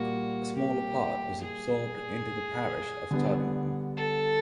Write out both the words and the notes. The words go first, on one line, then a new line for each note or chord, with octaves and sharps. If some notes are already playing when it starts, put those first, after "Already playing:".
A smaller part was absorbed into the parish of Toddington.
Already playing: A#2 G3 A#3 F#4
G4
G#4
D3 G3 B3
A4